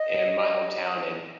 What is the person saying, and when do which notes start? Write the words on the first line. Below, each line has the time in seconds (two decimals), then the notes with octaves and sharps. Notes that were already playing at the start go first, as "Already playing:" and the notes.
in my hometown, and
Already playing: D#5